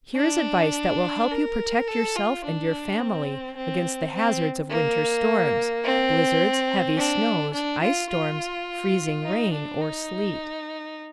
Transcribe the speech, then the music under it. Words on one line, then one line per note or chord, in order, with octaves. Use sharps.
Here is advice that will help you protect yourself and your family against the hazards of winter storms--blizzards, heavy snows, ice storms, freezing rain, or sleet.
D4
A#4
A4
F4
D4
C4
C4
C4
A#3
C4
D4
D4
F4
F4
D#4
D4
D#4